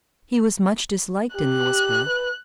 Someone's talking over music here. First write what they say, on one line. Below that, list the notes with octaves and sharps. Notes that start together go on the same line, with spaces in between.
He was much disliked in Louisbourg.
G4 F#6
B4